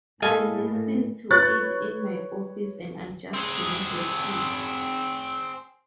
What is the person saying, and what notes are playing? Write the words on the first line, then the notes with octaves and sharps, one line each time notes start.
I listened to it in my office and I just couldn't get it.
A2 A#3 A4 D#5 F5 G#5
B4 C#5 F#6 A6
C4 G#4